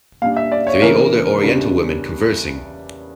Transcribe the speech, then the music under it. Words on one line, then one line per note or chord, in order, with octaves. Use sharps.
Three older oriental women conversing.
A#2 G3 D4 F5
E5
D5
C#5
C#3 E3 A#3 D4 A#4
E2 C#3 G3 D4